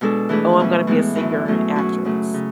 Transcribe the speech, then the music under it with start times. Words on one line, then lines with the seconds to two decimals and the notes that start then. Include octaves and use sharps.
"Oh, I'm gonna be a singer and an actress,"
0.01 B2 G#3 D4 A4
0.29 E3 A3 D4 G#4 B4
0.60 B2 F#3 C#4
0.87 A2 E3 G#3 B3
1.16 F#2 E3 A3 E4
1.46 B2 F#3 A3 C#4
1.76 B2 F#3 C#4 F#4
2.05 C#3 F#3 A3
2.34 C#3